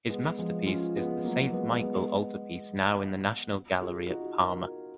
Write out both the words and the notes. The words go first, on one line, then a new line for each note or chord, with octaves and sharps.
His masterpiece is the "Saint Michael" altar-piece now in the National Gallery at Parma.
G#3 B3
F3 G#3
C#4 F4
G#3 B3
F#3 A#3
G#3 B3
G#3 B3
F4 G#4
D#4 F#4
F#4 A#4